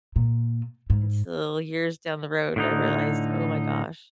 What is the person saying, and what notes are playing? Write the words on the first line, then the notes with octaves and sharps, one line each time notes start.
until years down the road, I realized, oh my gosh,
A#2
G#2
A2 D3 D#4